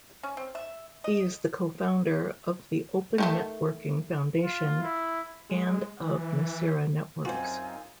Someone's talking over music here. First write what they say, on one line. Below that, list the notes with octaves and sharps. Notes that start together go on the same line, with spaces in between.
He is the co-founder of the Open Networking Foundation and of Nicira Networks.
C#4
C4
E5
D#5
D#3 F3 A3
F4
E4
G#3
E3
F#2 C4 D#4 F4 F#4 C5 G#5